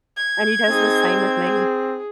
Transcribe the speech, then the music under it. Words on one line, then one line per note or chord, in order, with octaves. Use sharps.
and he does the same with me.
G#6
C4 D#4 G#4
G#4